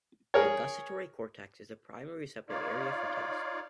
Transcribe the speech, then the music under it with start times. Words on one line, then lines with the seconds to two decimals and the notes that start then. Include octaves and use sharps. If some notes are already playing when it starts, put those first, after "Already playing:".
The gustatory cortex is the primary receptive area for taste.
0.34 G#4 A#4 C#5
2.49 D#4 F4 C#5 D5 F5